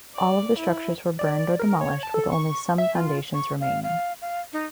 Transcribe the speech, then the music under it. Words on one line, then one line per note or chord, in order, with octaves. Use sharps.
All of the structures were burned or demolished, with only some foundations remaining.
D5
E4
D5
A#4
C#5
A5
A4
C#6
E5
F4
C#6
F5
F5
F5
D#4